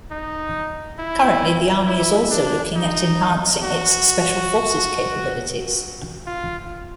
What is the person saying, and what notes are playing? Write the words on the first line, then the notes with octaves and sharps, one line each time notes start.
Currently, the army is also looking at enhancing its special forces capabilities.
D#4
E4
E4
D4
D#4
F#4
F4